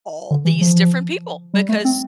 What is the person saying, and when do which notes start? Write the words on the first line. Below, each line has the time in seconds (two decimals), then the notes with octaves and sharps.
all these different people, because
0.31 D3
0.45 E3
0.61 F3
1.54 G3
1.69 A3
1.85 C4